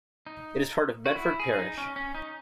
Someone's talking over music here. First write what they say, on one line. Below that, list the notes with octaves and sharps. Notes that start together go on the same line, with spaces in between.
It is part of Bedford Parish.
D#4
F#4
E4
G#4
D#4
C#4
C#4
D#4